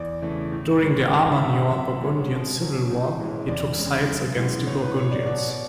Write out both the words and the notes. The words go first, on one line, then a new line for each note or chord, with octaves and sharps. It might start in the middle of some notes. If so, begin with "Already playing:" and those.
During the Armagnac-Burgundian Civil War he took sides against the Burgundians.
Already playing: E2 D5
C#3 E3 A3
A2
G#3 C#4
G#2
E5
G#3 C#4
F#5
F#2 E5
D3 G#3 C#4
B2
F#3 C#4
A2
E3 G#3 C#4
E2 D5
C#3 G#3 C#4
F#2
E3 G#3 B3
A2 C#5
B4
F#3 B3 C#5
D5
B2 D5
C#5
D5